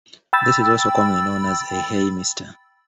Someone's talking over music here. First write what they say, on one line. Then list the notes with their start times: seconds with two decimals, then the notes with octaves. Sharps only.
This is also commonly known as a "Hey Mister".
0.33 G5 B5 E6 A6